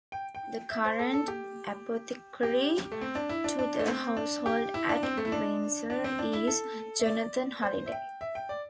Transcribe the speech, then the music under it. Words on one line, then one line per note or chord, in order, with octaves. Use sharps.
The current Apothecary to the Household at Windsor, is Jonathan Holliday.
G5
G5
E5
C5
A4
A4
G4
G4
A3
C4
D4
E4
D4
D4
A3
C4
D4
G4
E4
D4
C4
A3
E4
D4
D4
C4
D4
E4
A4
E5
D5
C5
E5
G5
E5
G5
D5